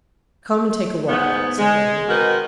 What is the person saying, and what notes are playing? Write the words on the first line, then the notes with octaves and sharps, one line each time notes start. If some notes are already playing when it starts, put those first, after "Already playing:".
"Come and take a walk," said Harry.
G#2 B3
G#3
D#3 C4 D#4 F#4 A#4 B4